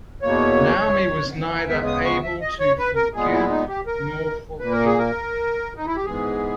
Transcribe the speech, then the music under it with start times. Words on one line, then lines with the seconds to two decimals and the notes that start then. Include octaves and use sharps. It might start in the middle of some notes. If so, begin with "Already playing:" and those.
Naomi was neither able to forgive nor forget.
0.22 E2 B2 A#3 C#5
1.68 C#3 G#3 B3 E5
1.86 D#6
2.05 C#6
2.23 E5
2.41 D#5
2.60 C#5
2.78 B4
2.95 A#4
3.13 A#2 G#3 B3 G#4
3.32 E4
3.50 D#4
3.68 G4
3.87 A#4
4.60 A#2 A#3 B4
4.72 A#4
4.86 G#4
4.99 A#4
5.76 D#4
5.86 E4
5.96 G4
6.05 G#2 E3 G#3 B3 G#4